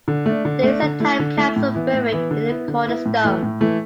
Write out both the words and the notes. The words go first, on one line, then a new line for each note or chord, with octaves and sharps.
There is a time capsule buried in the cornerstone.
D3
A3 D4
D3
A3 D4
D3
A3 E4
D3
A3 E4
A2
E3 B3 E4
A2
E3 B3 E4
D3
B3 E4
D3
B3 E4
A2
E3 A3 E4
A2
E3 A3 E4